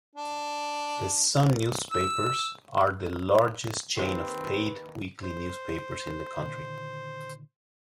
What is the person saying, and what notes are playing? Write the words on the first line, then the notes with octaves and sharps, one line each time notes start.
The Sun Newspapers are the largest chain of paid weekly newspapers in the country.
D4
E6
D#2 C4 D#4 G4 A#4 B4 F5
C5
A#2 D3 D#3